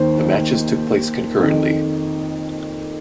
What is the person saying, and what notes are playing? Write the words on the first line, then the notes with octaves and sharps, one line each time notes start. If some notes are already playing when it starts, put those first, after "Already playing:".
The matches took place concurrently.
Already playing: D#2 D#3 C5
F2 D#3